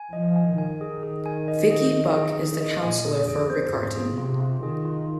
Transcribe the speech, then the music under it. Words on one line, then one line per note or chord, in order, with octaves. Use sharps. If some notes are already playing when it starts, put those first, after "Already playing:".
Vicki Buck is the Councillor for Riccarton.
Already playing: G#5
F3 D#5
G#5
D#3 G#5
G#4
G#4
G#5
D#5
G#4
D#5
G#4
D#3 G#4
D#5
A#2 G#5
G#4
F2 G#4
C5
G#2 F4
G#4
C3 F4
F4
D#3 G#4
F4